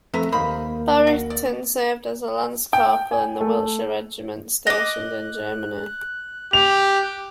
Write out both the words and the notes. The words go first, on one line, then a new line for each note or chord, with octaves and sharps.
Barrington served as a Lance-Corporal in the Wiltshire Regiment stationed in Germany.
F2 A3 B4 E5 A#5
D#2 A#3 D#4 A#4 C5 B5
F#4
D5
G5
G#5
A3
D#5 D6 F#6
G4 F7